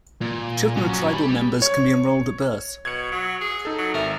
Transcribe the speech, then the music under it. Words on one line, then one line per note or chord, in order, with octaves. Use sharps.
Children of tribal members can be enrolled at birth.
A#2
F#3 C#4
G4 B5
C#5
B2 G#6 C#7
F#3
G#4
D#4 A4
F#3
G#1 A#4 E5